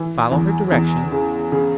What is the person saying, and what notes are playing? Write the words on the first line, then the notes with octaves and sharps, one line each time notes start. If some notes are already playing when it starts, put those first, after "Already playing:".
Follow her directions.
Already playing: E3
E2
E2
C#3
C#3